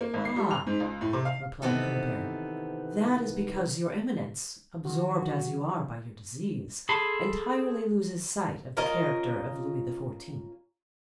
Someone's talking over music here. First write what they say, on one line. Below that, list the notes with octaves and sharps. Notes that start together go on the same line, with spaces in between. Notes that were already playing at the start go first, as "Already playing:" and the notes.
"Ah," replied Colbert, "that is because your eminence, absorbed as you are by your disease, entirely loses sight of the character of Louis XIV."
A#3
G#1
C7
G3
F7
G#2
C#2
A2
C3
F5
C3 D#3 E3 B3 C4 A4
D#3 F#3 F#4
G#4 A4 A5 B5 C6
C#4 F4 A#4 D#5